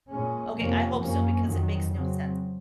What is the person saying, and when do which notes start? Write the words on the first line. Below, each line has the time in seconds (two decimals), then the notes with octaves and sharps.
Okay. I hope so because it makes no sense.
0.10 A#2 G#3 C#4
0.55 F2 C3 F3 A#3 C#4
1.01 F#2 F3 A#3 C#4
1.46 F2 D#3 F#3
1.91 C#3 F#3 C4